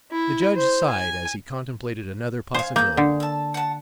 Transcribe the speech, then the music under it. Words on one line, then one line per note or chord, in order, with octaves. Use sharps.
The judge sighed as he contemplated another possibility.
E4
C5
G#5
C5 F5 G#5
A#3 G#4 G6
D3
A5 E6
F#5 A5